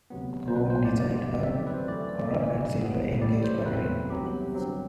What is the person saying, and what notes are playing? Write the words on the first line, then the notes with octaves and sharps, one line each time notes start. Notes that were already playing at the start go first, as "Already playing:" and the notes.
The groom designed her coral and silver engagement ring.
D2 C3 F#3 B3
C5
B1 B2 F#3 C4 B4
C5
D5
G2 D3 G3 B3 D5
D5
D2 C3 F#3 A3 C4 E5
D5
B4
C5
F#2 E3 A3 D5
A1 G2 E3
B1 A2 G3 B3
A1 A2 G3 D5
C5
E2 B2 F#3 A3 C4 B4
C2 C3 F#3 B3 G4
G1 G2 F#3 C4